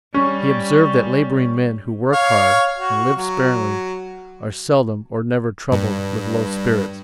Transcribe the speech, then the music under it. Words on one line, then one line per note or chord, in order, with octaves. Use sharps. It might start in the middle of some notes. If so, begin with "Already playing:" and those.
He observed, that labouring men who work hard, and live sparingly, are seldom or never troubled with low spirits.
G3 C#4
C#5 F5
F#4
F#3
G2